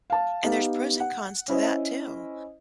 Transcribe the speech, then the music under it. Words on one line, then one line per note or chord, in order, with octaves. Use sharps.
And there's pros and cons to that too
F5 A5
B3 D#4 G4 F5
F#5
C#4 E4 C5 D#5